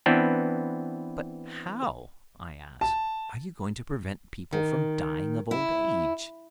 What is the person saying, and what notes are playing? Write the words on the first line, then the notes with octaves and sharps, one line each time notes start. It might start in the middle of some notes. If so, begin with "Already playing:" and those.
"But how," I asked, "are you going to prevent people from dying of old age?"
E3 B3 C4 D4
A5
D#3
E4